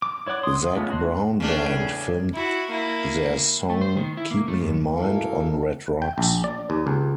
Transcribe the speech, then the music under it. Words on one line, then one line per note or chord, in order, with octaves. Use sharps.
Zac Brown Band filmed their song "Keep Me In Mind" on Red Rocks.
D6
E4 C#5 D5 F#5 D6
C6 D#6
D#6
G#3 A3 B3 C#4 F4
F#4 D#5 F#5 C6
E2 A2 C#3 D4
E4 F#4
A#3 E4
A3
C5
D#3
E4
A#3
A3
F#2
F#2 E3 A4 A#4 F5
G5
A#1
D5
D#2
C#2